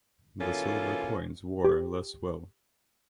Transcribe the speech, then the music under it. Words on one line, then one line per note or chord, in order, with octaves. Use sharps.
The silver coins wore less well.
B2 E3 A#3 C#4 F4 A4
G4